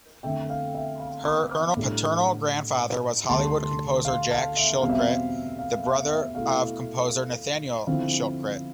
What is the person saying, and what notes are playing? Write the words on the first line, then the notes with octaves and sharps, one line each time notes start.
Her paternal grandfather was Hollywood composer Jack Shilkret, the brother of composer Nathaniel Shilkret.
F2 D3 A3 E5 G5
F5
E5
F5
B5 D6
D6 F6
A2 G3 D4
D2 D3 G3 A5 C6
F5
F5 A5
E5
E2 B2 G3 C4 F5
E5
F5
F5
F5
E5
B2 A3 E4 F5
D3 F3 C4 E4 F5